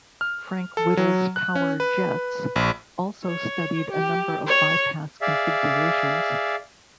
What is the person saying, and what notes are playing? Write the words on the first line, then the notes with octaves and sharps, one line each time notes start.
Frank Whittle's Power Jets also studied a number of bypass configurations.
F6
A4
F#3
F#6
C#4
B4
A#1
C#5
G4
C#5
G#4 D5 E5 F5